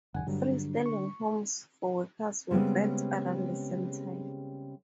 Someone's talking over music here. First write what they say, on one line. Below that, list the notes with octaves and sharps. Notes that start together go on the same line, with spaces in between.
Freestanding homes for workers were built around the same time.
F#1 D#2 F#5 G#5
G2 D3 F#3 G3
C#6
C#3 G3 G#3 B3 C4